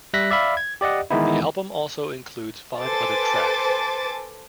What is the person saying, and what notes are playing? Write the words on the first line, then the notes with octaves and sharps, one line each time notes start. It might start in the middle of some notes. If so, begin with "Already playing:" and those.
The album also includes five other tracks.
G3 E5 F#6 A#6 B6
D5 E5 F5 B5
G#6
G4 D5 D#5 F#5
D#3 E3 G#3 B3 D#4 E4
A4 B4 C5 G#5 D6 A6